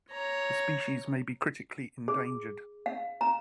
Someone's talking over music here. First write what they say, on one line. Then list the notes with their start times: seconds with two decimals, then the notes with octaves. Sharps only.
The species may be critically endangered.
0.11 C#5 A#5
2.08 G#4
2.86 F5
3.21 A#5